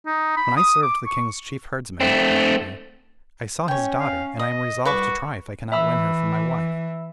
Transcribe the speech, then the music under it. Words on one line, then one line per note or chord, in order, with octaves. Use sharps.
'When I served the king's chief herdsman,' added he, 'I saw his daughter, and I am resolved to try if I cannot win her for my wife.'
D#4
B5
D#6
D6
C#6
A3 C4
C#4 C#5 G5
F5
D#5 D#6
C2 F#4 B4 C#6 D6
E3 E5 B5 E6